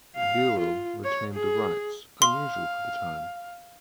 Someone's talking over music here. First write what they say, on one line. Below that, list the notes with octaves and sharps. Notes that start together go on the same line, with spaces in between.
Buell retained the rights, unusual for the time.
F5
F4
C#5
G#4
F5 C6